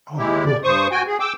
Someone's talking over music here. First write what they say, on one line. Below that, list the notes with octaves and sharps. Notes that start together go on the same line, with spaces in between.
Oh, cool.
D#2 G#3 E4 G4
D5
G2 C5 C#6 D#6
F#4 G5 G#5
G#4
G5 D6 E6